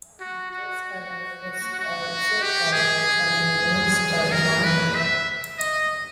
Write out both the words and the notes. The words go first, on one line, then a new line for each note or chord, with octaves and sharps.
This color is also called Chinese carmine.
F#4
F#4
F#4
G4
G#4
A#4
B4
E5
D#5